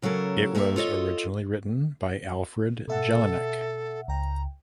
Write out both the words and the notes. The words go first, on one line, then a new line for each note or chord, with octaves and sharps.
It was originally written by Alfred Jellinek.
C#3 F#3 C#4 A4 A#4
G2 A#3 A4 A#4 E5
F4 A4 C#5 D#5
B2 A4 E5 F#5
C#2 G5 A#5